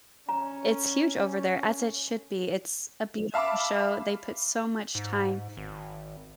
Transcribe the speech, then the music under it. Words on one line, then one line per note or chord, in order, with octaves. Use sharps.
it's huge over there as it should be, it's a beautiful show, they put so much time
C#4 A#5
E5 F5 A5 B5 D6
G#2
G#1